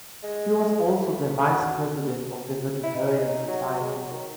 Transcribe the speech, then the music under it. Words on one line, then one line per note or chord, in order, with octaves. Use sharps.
He was also the vice president of the Vegetarian Society.
G#3
A3
F#4
E4
D#4
C#4
D#4
F#3
G#3
F#3
D#3